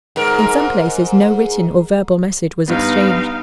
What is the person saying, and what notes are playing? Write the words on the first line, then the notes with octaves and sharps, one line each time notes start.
In some places no written or verbal message was exchanged.
G#2 A#4
G2 B3 D#4 F5